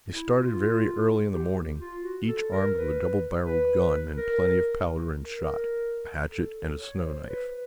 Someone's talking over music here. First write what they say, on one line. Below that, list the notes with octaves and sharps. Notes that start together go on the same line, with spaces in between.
They started very early in the morning, each armed with a double-barrelled gun and plenty of powder and shot, a hatchet, and a snow knife.
E4
F4
G4
F4
F#4
A4
A#4
B4
B4
A#4
A#4
A4
A4
C#5
C5
B4
B4